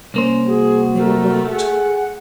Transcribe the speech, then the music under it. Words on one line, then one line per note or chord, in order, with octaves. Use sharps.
They were locked!
C2 A#3 C#4 C5
F#4 G#4
A3 A#4
G#4 F#5